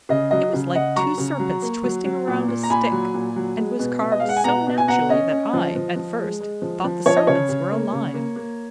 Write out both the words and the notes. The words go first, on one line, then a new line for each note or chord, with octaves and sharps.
"It was like two serpents twisting around a stick, and was carved so naturally that I, at first, thought the serpents were alive."
C#3 D#5
F#3 D#5
C#3
C#3 D#5 F#5
F#3 A#5 C#6
C#3
F#3
A#3
F#3
F#3
A#2
A#2
A#5
A#2 G#5 B5
F#3
A#2
F#3
G#3
B2
B2
D#5
G#3 F5
F#5
G#5
B2 F#5 A#5
B2
G#5
B2 F#5 A#5
C#4 D#5
C#4
F3
F3
F3
G#3
G#3
F3
F3
F3 C#5
D#5
C#3 C#5
C#3
A#3
C#3
A#3
A#3